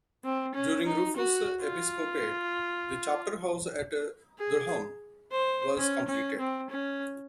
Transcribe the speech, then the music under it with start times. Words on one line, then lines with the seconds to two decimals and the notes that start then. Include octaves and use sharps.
During Rufus' episcopate the chapterhouse at Durham was completed.
0.24 C4
0.55 C#4
0.86 D#4
1.16 F#4
1.62 F4
4.39 G#4
5.32 C5
5.78 C#4
6.08 C#4
6.39 C4
6.70 C#4